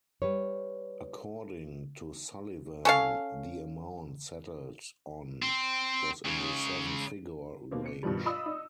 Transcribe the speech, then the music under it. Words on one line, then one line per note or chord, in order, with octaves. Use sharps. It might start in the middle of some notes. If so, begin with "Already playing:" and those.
According to Sullivan, the amount settled on was in the seven-figure range.
G3 B4 C#5
C#4 A4 F5
C4
C#2 C#3
B2 A#3 C4
C#7
G2 B2 D#3 F3 G3
F4 D5 D#5 B5 D#6 E6
D#4